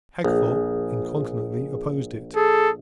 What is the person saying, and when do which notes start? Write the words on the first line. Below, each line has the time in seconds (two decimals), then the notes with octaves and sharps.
Hagthorpe incontinently opposed it.
0.24 A#1 G#4
2.36 G#4 A4